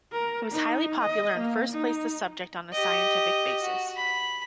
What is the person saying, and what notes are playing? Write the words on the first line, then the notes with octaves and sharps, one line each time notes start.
It was highly popular and first placed the subject on a scientific basis.
A#4
D#4
D#5
A#3
D#4
G4 D#5
F#4
B5